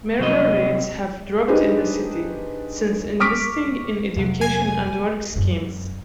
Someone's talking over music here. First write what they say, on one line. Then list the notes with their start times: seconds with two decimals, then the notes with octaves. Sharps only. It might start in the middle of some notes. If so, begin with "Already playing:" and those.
Murder rates have dropped in this city since investing in education and work schemes.
0.20 C2 F#3 C4 D#5
1.48 D4 D#4 G4 G#4 B4 C5
3.20 C#6 D6 F6 B6 D7
4.16 F2 C3 F#3
4.41 G#5
5.36 F#2 G#3